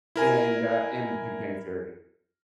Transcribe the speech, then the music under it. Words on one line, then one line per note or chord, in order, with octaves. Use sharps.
and, uh and Big Bang Theory.
E4 A#4 G#5